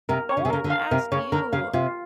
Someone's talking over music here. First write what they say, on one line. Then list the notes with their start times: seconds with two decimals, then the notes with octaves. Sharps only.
I wanted to ask you,
0.09 C3 A#4
0.29 C#5
0.37 C#3
0.45 C3
0.50 C#3 A#4
0.64 D3
0.70 F5
0.91 C3 A#4
1.12 C#3 C#5
1.32 D3 A#4
1.52 C#3 F5
1.73 C3 F4